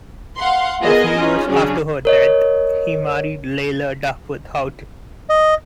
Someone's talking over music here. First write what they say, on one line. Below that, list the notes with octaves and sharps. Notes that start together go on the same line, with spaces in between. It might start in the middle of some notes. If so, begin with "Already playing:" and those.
A few years after her death, he married Leila Duckworth Houghton.
F5 F#5 C6
B3 F4 G#4 A#4 D#5 G#5
C#4 D#4 F4 G#4
C#3 F#3 C#4 D4 G#4
A#4 C#5 D#5
D#5